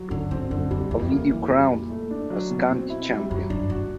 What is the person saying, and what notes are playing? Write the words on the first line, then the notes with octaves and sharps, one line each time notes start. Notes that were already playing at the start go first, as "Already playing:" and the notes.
Ovidiu crowned as county champion.
Already playing: F#3
G#2 D3
G#2 C4
F#2 D3
F2 G3
E2 E3
F2
E2 A#3
F2 E3
G3
A#2
A3
D4
F#3
B2
C4
E4
G3
F#2 F#3
G2 D4
F#2 F#4